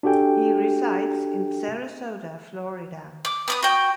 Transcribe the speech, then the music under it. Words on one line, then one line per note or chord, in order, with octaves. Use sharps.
He resides in Sarasota, Florida.
D4 F#4 G4 A4 G5 G#5
D6
B3 D6 D#6
F#4 G5